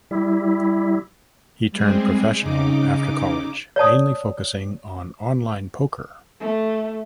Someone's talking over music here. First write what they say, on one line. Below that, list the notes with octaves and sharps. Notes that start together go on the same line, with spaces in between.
He turned professional after college mainly focusing on online poker.
G3 E4
G3 G#3 C4 G#4
C#3 D#4 D6
C#5 D5 A5 D#6
A3